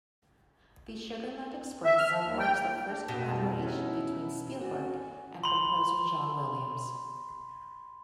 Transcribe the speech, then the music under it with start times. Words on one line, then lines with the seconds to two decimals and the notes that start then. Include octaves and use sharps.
"The Sugarland Express" marks the first collaboration between Spielberg and composer John Williams.
1.85 E5
1.98 F6
2.10 F3
2.23 D#2
2.39 G5
2.88 D4
3.08 F2 B2
3.33 E3 G3
3.59 C#4 D#4 E4
4.61 C#4 F#4 D5
5.44 B5 C6